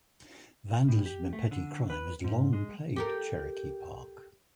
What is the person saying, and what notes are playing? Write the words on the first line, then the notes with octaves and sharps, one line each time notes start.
Vandalism and petty crime has long plagued Cherokee Park.
A2
G4
A3
D3
B4
G#2
G#3
G4 A4 A#4